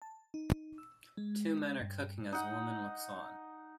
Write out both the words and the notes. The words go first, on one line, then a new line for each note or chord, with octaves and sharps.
Two men are cooking as a woman looks on.
A5
D#4
E6
G#3
G2
D#4 F#5